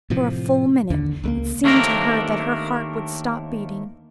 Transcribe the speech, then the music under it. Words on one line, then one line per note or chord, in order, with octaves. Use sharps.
For a full minute it seemed to her that her heart would stop beating.
A2 C3 F3
D#2 D3
C#2 G#3 A#3
D#2 A3 A#3 C4 D4 A#4